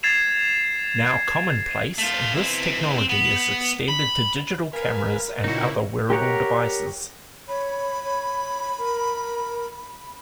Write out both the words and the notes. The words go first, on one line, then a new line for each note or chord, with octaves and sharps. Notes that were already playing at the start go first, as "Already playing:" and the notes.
Now commonplace, this technology is extended to digital cameras and other wearable devices.
G#6 A6 C7 E7 F7
A3 F4
E3 C4
C4
B3
B5
A#4 B4 F5 G#5
A#2 C#3 A#3 D#4 E4 F#4
G4 A#4 C#5 F#5
C#5 B5
C#5
A#4